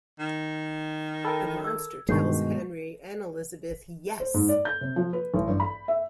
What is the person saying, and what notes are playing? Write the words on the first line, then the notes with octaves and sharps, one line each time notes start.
The Monster tells Henry and Elizabeth Yes!
D#3
A4 A#4 G5 B5
E6 G#6
G2 B2 D#3 G#3 C#6 G6 C7
C5
G#2
D5
G6
C3
F3
B4
A1
G2
B5
E5